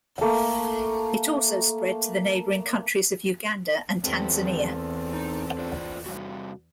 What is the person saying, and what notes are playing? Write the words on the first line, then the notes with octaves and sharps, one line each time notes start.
It also spread to the neighboring countries of Uganda and Tanzania.
A3 A#3
E2 G#2 C4 G4 A4
D#4
F4 C5 D5
C3 G3 F#4